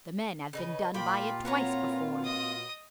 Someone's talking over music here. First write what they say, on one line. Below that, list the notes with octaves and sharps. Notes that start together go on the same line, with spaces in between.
The men have been done by it twice before.
C#3 D#4 B4
A#2 F4 G4 G5 B5
C4 F#4 B4 C#5 A#5
D#5 D#6